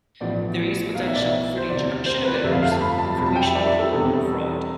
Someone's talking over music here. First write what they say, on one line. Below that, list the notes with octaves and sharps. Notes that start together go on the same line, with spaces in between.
There is potential for the introduction of errors, information overload, and fraud.
A1 A2 F3 B3 D5
B1 B2 B3 F5
E5
D5
E5
C5
E1 D2 C3 D5
C5
B4
D5
G1 F2 C3 F3 A3 E5
F5
F5
A5
B5
A5
F2 C3 G3 B5
A5
G5
E5
D5
E5
D5
A4
E1 E2 C3 G3 A4